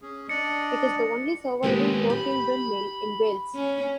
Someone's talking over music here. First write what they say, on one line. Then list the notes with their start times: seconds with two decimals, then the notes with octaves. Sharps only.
It is the only surviving working windmill in Wales.
0.02 C#4 G#4
0.29 D4 D5 D#5 C#7
1.63 D#2 G#3 A#3 B3 G4
2.10 G4 B5
3.55 C#4